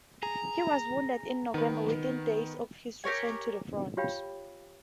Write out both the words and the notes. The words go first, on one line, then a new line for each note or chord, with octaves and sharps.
He was wounded in November, within days of his return to the front.
G#4 A#5
D#3 B3 B4
G4 A#4 C#5 G#5
F4 G4 C#5 F5 G5 B5